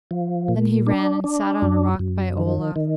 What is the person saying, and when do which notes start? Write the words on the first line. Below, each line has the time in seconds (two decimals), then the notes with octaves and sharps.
Then he ran and sat on a rock by Olaf.
0.11 F3
0.48 A#2
0.87 D4
1.24 D4
1.62 F#2
1.99 F#2
2.38 D#3
2.76 D#3